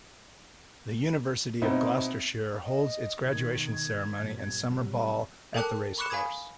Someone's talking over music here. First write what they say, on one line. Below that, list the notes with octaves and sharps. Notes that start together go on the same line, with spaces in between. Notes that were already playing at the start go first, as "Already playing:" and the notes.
The University of Gloucestershire holds its graduation ceremony and summer ball at the racecourse.
B2 B3 C4 D#4 E4
D#5
B2 D#3 G#6
G2 A#2 F#3
C3 F#3 G3
A4 A#4 G5 A5 D6 F#6
B5 C#6 D6 F#6 C#7 E7
F5 G#5 B5 D#6 G#6